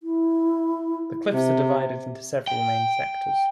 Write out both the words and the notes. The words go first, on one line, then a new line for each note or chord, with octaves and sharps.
The cliffs are divided into several main sectors.
E4
C3
G5